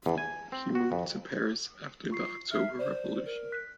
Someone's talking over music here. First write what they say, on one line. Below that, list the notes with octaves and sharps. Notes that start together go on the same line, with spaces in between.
He moved to Paris after the October Revolution.
E2
G#5
C4
F#4
F2
F4 C#6 C7
E5 F6 C7
C5 D5
A#4
F#6 B6